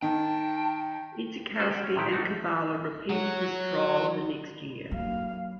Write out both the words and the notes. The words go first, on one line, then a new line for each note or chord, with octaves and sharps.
Idzikowski and Kubala repeated this trial the next year.
D#3 G5 A5
C4 C#4 F#4 A4 B4 C5
G4 F#5
C#4
A2 C3 D#3 F#3 E4 G4
A3 C4 D4 D#4 F#4
F#3 F#4
F#3 A#3 F5